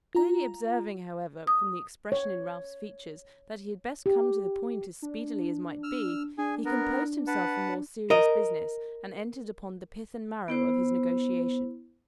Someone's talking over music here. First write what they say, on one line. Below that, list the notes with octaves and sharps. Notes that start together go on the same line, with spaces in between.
Clearly observing, however, from the expression in Ralph's features, that he had best come to the point as speedily as might be, he composed himself for more serious business, and entered upon the pith and marrow of his negotiation.
F4 A#5
D#6
C#5
G4
D4
E6 F6
D4 G#4 G#5
B3 A#4
B4 F#5 A5
A#4 D#5
B3 E4 C5